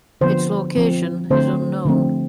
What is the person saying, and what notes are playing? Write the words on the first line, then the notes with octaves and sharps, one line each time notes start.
Its location is unknown.
D3 F3 B3 C5
F3 C4
D3 A3 C4 C5
D3 F3 A3 C4